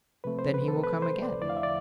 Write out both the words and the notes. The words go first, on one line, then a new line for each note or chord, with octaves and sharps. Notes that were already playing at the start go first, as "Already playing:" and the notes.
"Then he will come again."
C3 F3 A3 C4 B4
C5
B4
A4
B4
C5
D5
E2 D3 F3 A3 E4 D5
F5
E5
D5